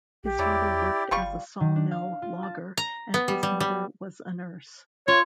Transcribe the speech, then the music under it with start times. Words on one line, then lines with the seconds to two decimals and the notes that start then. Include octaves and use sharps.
His father worked as a sawmill logger and his mother was a nurse.
0.24 A#1 G4
0.39 E2 F#3 E4 D5
1.11 G1 G3 F4 C#6
1.60 D#3
1.76 D4
1.91 F5
2.22 F4
2.43 A5
2.77 A#5
3.14 B3
3.28 G3
3.43 G3
3.60 G3
5.08 F4 C#5